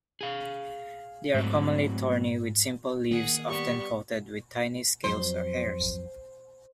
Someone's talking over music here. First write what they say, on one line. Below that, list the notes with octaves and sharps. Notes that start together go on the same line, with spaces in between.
They are commonly thorny, with simple leaves often coated with tiny scales or hairs.
G#4 F5
G#2 F#3 A3 C4
D#3 A#3 G#4 F#5
G3 B3 C#6
F2 F#3 C5